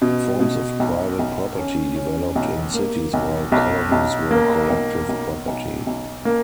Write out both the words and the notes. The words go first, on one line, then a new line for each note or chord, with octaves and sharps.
Forms of private property developed in cities while colonies were collective property.
B2
B2
B1
B1
C#4
C#4
B1
A#3
B1
B1
B1
A#3
B1
B1
B1
B1
A#3